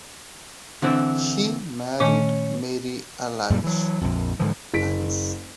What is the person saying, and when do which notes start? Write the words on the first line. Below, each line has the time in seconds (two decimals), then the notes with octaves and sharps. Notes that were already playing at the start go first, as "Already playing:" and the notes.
He married Mary Alice.
0.82 D3 E3 C4
2.00 A#2 D#3 A3 C#4
3.50 F#2 A#2 G3
3.64 E3 F#3
4.01 A#1 F2
4.40 G#2 D3 E3 F3
4.74 F#1 B6 D7